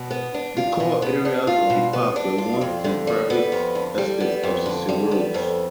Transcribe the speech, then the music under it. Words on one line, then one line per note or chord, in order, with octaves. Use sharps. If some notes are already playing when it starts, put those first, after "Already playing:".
The core areas of the park were once the private estate of Cecil Rhodes.
Already playing: B2
B3
D4
F4
B2
B3
D4
F4
B2
B3
D4
F4
F2
D3
G3
B3
F2
D3
G3
B3
F2
D3
G3
B3
F2